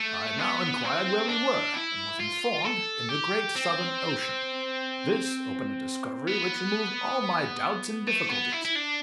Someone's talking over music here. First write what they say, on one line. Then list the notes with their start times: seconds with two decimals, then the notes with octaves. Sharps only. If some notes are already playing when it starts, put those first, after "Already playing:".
I now inquired where we were, and was informed, in the great Southern Ocean; this opened a discovery which removed all my doubts and difficulties.
Already playing: A3
0.39 B3
0.84 C4
1.29 D4
1.75 E4
2.20 F4
2.65 A4
3.10 G4
3.55 C4
6.27 B3
8.07 A3
8.30 B3
8.52 E4
8.65 E4
8.75 D4